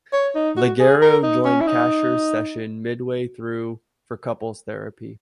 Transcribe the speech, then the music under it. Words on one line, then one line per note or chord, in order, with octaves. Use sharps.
Leggero joined Kasher's session midway through for couples therapy.
C#5
D#4
F#4
G#4
A#4
D#4
C#4
E4
D#4